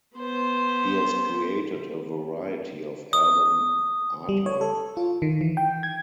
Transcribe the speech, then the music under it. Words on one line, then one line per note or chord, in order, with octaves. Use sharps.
He has created a variety of album artwork.
B3 C5
D#6
G3
C#5
A4
F4
D#3
E3
G5
G#6